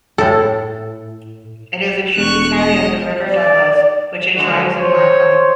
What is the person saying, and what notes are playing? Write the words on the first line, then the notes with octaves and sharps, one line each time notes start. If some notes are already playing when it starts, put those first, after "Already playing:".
It is a tributary of the River Douglas which it joins in Lathom.
A2 A4
E1 C#6 F#6
D#5
D5
D3 E3 G#3 F#4
C5 C#5